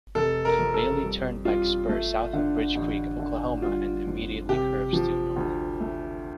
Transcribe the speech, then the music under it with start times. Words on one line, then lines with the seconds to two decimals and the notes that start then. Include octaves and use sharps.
Bailey Turnpike Spur south of Bridge Creek, Oklahoma, and immediately curves due north.
0.15 F1 A4
0.45 A#4
0.59 F2
0.74 A4
1.03 G3
1.45 G3 F4
1.89 A3
2.33 D3
2.75 A1
3.19 D3
3.62 G3 F4
4.07 F2
4.49 C3 G4
4.93 F3
5.36 D2
5.80 A3